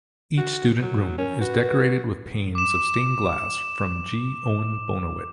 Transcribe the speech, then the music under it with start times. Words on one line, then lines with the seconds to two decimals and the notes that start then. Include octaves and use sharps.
Each student room is decorated with panes of stained glass from G. Owen Bonawit.
0.38 F#4
0.82 F#3
1.18 C#4 A#4
1.41 F#4 B4
2.55 D6 E7